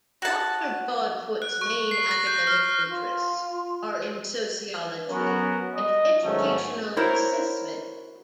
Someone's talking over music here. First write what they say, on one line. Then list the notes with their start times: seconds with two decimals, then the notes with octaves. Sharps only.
Doctor Broadfoot's main academic interests are in sociology and educational assessment.
0.22 F#4 A5
1.42 F#6
1.61 C#6
1.91 C7
2.11 A#6
2.27 G6
2.47 F6
2.89 F4
5.08 F#3 B3 C#4 F#4 A#4
5.75 D#5
6.23 G#2 D#3 F#3 A3 C#4
6.97 E4 F#4 A#4 C5 C#5